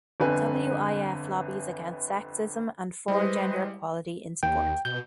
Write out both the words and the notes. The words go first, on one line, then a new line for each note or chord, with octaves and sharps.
WiF lobbies against sexism and for gender equality in sport.
G1 F2 D3 B4 G#5
G3 G#3 E4 B4 C5 D#5
D#2 G5
B2 G6